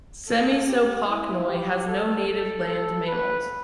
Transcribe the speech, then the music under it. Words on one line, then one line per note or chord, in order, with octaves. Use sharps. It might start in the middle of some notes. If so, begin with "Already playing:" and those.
Semisopochnoi has no native land mammals.
A4
G4
E4
G4
A4
A4
A4
B4